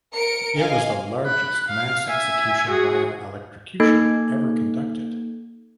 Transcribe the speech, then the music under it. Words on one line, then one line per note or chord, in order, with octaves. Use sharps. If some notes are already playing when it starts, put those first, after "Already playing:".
It was the largest mass execution via electrocution ever conducted.
A#4 C#7 D7
D#5 F5 G#5
B5 F#6
F5
E5 G#5
F#4 G#4
A#3 D#4 A4 G#6